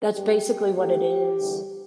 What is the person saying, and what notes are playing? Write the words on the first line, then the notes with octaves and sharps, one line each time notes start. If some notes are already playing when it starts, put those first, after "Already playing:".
That's basically what it is.
G2 G3 G4
A2 A3 G4
E2 D3 G3